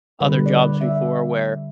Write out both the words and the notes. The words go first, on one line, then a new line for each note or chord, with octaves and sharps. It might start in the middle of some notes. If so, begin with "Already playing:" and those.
other jobs before where
D3 G3 B4
D5
B4
E5